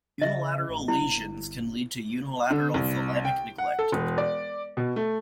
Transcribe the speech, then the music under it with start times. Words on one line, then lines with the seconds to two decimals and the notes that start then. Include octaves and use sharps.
Unilateral lesions can lead to unilateral thalamic neglect.
0.22 C#3 D#5 E5
0.69 A1
0.88 G3 E4
1.01 G1
2.51 D3
2.74 C2
3.25 G5
3.58 F#5
3.79 A4
3.92 E1
4.18 D5
4.77 B2
4.96 A3